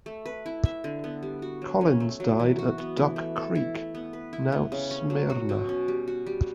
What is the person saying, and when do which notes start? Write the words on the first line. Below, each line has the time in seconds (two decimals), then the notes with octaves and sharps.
Collins died at Duck Creek, now Smyrna.
0.06 A3
0.26 B4
0.46 E4
0.65 E5
0.84 D3
1.04 B3
1.23 G3
1.42 F#4
1.62 F#3
1.81 C#4
2.00 A3
2.20 F#3
2.39 E3
2.59 F#4
2.78 B3
2.97 E3
3.16 A3
3.36 A4
3.55 E4
3.75 A3
3.95 B3
4.13 B4
4.33 E4
4.52 B3
4.72 C#3
4.91 C#4
5.10 F#3
5.30 F#4
5.49 B2
5.69 C#4
5.88 G3
6.08 F#4
6.27 G3